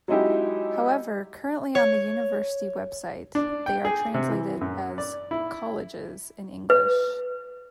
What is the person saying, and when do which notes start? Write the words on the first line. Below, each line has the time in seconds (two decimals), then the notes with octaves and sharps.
However, currently on the University website, they are translated as "colleges" in English.
0.08 F#3 G#3 D#4 E4 G4
1.75 C#5
3.35 D4
3.66 G5
3.85 G#4
4.14 C3
4.30 E3
4.61 F#2
4.98 D5
5.31 E4
6.70 B4